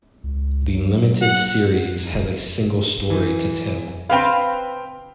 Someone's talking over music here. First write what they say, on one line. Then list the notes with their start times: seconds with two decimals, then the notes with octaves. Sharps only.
The limited series has a single story to tell.
0.24 C#2
0.74 F#3
1.22 F#5
3.10 E3
4.10 C4 B4 F5 G5 B5